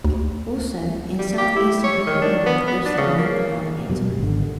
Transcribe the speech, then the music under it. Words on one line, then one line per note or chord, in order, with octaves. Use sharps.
Also, in southeastern Oklahoma lives the American alligator.
D2
G3
G4
E4
C#5
D#3
D4
B3
B3
D4
C#3
A#3
F#2 B2 G3
G#1 D3
D3